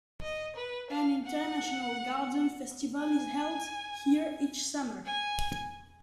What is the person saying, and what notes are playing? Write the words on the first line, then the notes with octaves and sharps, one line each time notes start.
An International Garden Festival is held here each summer.
D#5
B4
F5
F#5
G#5
G#5